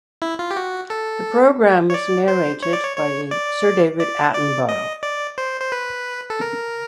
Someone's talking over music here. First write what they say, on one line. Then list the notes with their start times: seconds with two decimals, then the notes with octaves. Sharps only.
The programme is narrated by Sir David Attenborough.
0.22 E4
0.39 F4
0.51 G4
0.57 F#4
0.90 A4
1.90 C#5
1.94 D5
2.28 C5
2.63 C#5
2.73 D5
2.83 C#5
2.96 C#5
3.31 D5
4.00 D5
4.35 D5
4.69 D#5
5.03 D5
5.38 C5
5.61 C5
5.72 B4
6.30 A4
6.41 A#4